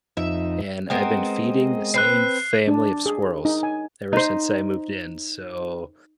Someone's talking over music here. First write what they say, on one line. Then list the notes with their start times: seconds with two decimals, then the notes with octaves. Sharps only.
And I've been feeding the same family of squirrels ever since I moved in. So
0.17 F2 D#4 E5
0.90 G#3 B3 C4 A#4 D#5
1.94 C4 B4 F#6 C7
2.68 D4
3.06 G#4
3.45 D#4
3.63 G#5
4.13 D#4 C5